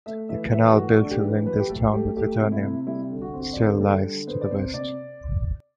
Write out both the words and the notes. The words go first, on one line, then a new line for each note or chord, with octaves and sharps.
The canal built to link this town with Vedaranyam still lies to the west.
A3 E5
E3 E5
E3 E5
G4
A3 F#4
F#4
D4
A4
G4
E3
F#3 B4
G4
A3 A4
A3 G4
A3 G4
C3
E4
C3
G3 E4
D3
F#4
C4
F#4
D5
D3 C5
G3 A4
D3
B3 C5
D5
C3 C5
C3 D5